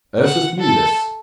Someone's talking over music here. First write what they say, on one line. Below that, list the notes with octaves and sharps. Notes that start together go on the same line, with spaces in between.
Ursus knew this.
F#5
A4